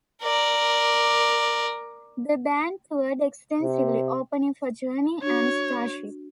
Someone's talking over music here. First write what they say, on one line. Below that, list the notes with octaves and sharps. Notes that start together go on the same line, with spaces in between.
The band toured extensively, opening for Journey and Starship.
A#4 D5
C3
D4 F#4 C#5